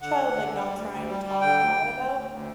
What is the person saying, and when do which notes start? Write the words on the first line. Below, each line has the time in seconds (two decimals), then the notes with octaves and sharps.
child, like, not trying to talk bad about
0.01 D3 F#5
0.19 D2
0.37 D3
0.53 G3
0.72 D2
0.88 D2
1.07 G3
1.24 G3
1.41 D3 G5
1.58 D2
1.76 D2
1.94 D2
2.11 D2
2.29 D2